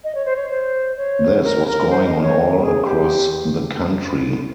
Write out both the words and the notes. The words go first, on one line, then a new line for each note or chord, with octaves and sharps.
This was going on all across the country.
D#5
C#5
C5
C#5
C5
C#5
A#4
A#4
C5
D#5
C#5
G#4
G4